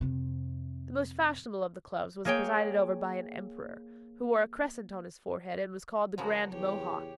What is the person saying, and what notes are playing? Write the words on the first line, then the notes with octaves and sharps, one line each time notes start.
The most fashionable of the clubs was presided over by an emperor, who wore a crescent on his forehead, and was called the Grand Mohawk.
F2 C3
A#3 G#4 C#5 G5
C#3 F3 F#3 F#4 A#4
E2 G4 C#5